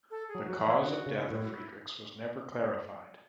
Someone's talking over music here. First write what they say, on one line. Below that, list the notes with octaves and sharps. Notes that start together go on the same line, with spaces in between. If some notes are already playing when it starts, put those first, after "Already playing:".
The cause of death of Friedrichs was never clarified.
A4
G#4
F#3
F#3 F#4
E3
E4
G#4
D3 F#4
C#3
E4
A2 F#4
E4
F#4
E4